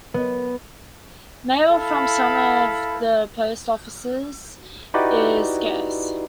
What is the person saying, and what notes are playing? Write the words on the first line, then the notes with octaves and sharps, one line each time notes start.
Mail from some of the post offices is scarce.
B3
E4 A4 F5 B5
D#4 E4 F#4 G4 B4 D5